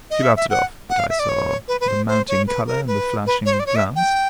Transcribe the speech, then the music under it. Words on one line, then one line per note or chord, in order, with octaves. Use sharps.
She laughed it off, but I saw the mounting color and the flashing glance.
D#5
E5
E5
F#5
F#5
F5
E5
D5
C#5
B4
B4
C5
C5
C#5
B4
A#4
B4
B4
C#5
C5
D5
C#5
E5
G5